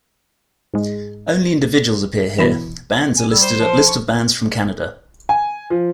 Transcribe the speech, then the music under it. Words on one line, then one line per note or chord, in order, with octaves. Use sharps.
Only individuals appear here; bands are listed at List of bands from Canada.
G#2 G#3
B2 E3 B5 E7
G#5
G3 E6
C5
F3
C#6
G#5
F3